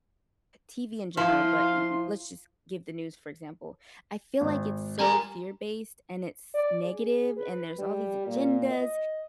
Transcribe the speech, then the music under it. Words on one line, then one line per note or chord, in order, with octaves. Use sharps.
TV in general, but m m let's, just, give the news, for example. I feel, like, it's so fear-based, and it's negative, and there's all these agendas,
F3 E4 F5 C6
G#1
G3 A#4 G#5 A#5
D5
G#4
B4
G3
A#2
D#5